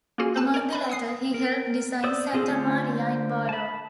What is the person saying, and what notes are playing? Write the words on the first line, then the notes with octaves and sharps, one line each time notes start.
Among the latter, he helped design Santa Maria in Vado.
A#3 C#4 F4 F#4 G#4
B4 A5
A#4 D5
B4 B5
F#5 G#5 D#6 C7
A#4
C5 D5 D#6 E6
C4 F4 G#4 A4
D3 A3 F4 C5
A5 B5